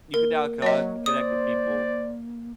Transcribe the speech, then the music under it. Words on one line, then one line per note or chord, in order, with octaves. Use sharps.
you can now con connect with people
A#3 A#4
F#3 C#5 D#5
C5 D5 D#6